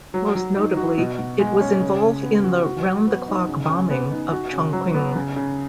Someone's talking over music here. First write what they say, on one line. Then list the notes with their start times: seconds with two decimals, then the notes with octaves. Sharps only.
Most notably, it was involved in the round-the-clock bombing of Chongqing.
0.14 F#3
0.35 F#3
0.57 D#4
0.77 F#4
0.98 B2
1.19 B2
1.39 G#3
1.61 C#4
1.81 C#3
2.02 C#3
2.23 B3
2.44 F#4
2.65 F#4
2.85 F#3
3.07 B3
3.28 D#4
3.49 C#3
3.69 C#3
3.90 B3
4.11 D#4
4.32 F#4
4.53 C#3
4.73 F#3
4.94 B3
5.16 C#3
5.36 C#3